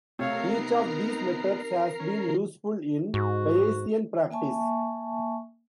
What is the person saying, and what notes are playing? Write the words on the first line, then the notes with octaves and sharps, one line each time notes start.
Each of these methods has been useful in Bayesian practice.
C3 A3 A#4 C#5 F5 A#5 C7
B3 D#4
C#4
G#2 F#4
A#3 E5 G#5 A5 C#6